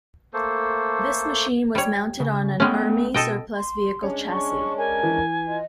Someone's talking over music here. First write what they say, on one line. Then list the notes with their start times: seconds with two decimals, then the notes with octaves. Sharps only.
This machine was mounted on an army surplus vehicle chassis.
0.33 A3 A#3 A4 C5
1.75 G3 C#5
2.20 C#3
2.60 G#3 A3 B3 C#4 G5
3.14 B2 A4 D#5 G5
3.56 C6
4.03 G#3 C#4 D4 C#5
4.32 C#6
4.78 A#4 G#5
5.03 E3
5.47 F4 D#5